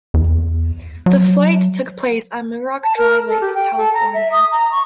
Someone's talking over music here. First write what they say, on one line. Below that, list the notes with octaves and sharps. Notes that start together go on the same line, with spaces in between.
The flight took place at Muroc Dry Lake, California.
E2
F#3
A5
A#4
A4
G4
G5
A4
A#5
E5
D#6
A#5
C#6